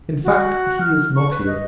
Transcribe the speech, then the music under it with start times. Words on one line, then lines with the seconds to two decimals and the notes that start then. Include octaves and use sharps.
"In fact, he is not here...."
0.24 F#4
0.80 F6
1.16 C#6
1.31 B4
1.47 D#5